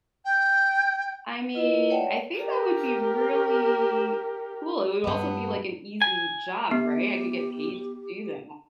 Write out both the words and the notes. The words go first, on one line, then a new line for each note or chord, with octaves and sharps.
I mean, I think that would be really cool. It would also be, like, an easy job, right? I could get paid to do that.
G5
E4 F4 B4 D#5
C#5 D5 E5 F#5 G5 A5
G4 A#4
G2 B3
G#5
B3 G4